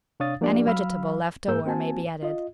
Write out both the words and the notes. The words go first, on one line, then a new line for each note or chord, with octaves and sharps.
Any vegetable left over may be added.
C3 D4 C#5 F5 D#6 A6
F3 A#3 B3 D4 G4 D5
F#3 F5 B5 E6 F6
G#2 A#3 G#4 A#4 E6 G6
A#3 C4 F#4 G#5 A5
F4 D#5